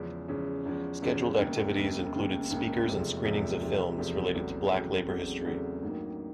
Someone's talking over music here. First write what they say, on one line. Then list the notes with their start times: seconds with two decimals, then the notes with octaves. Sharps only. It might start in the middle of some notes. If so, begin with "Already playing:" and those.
Scheduled activities included speakers and screenings of films related to Black labor history.
Already playing: E2 C#3 F3 G#3 C#4
0.28 E2 C#3 F3 G#3 C#4
0.65 E2 C#3 F3 G#3 C#4
1.02 E2 C#3 F3 G#3 C#4
1.39 E1 D#2 C#3
1.76 E1 D#2 C#3
2.13 E1 D#2 C#3
2.50 E1 D#2 C#3
2.87 F1 E2 C3 F3 G#3
3.23 F1 E2 C3 F3 G#3
3.61 F1 E2 C3 F3 G#3
3.98 F1 E2 C3 F3 G#3
4.34 E2 C#3 F#3 A3 C4
4.71 E2 C#3 F#3 A3 C4
5.08 E2 C#3 F#3 A3 C4
5.45 E2 C#3 F#3 A3 C4
5.83 A1 G2 D#3 F#3 A#3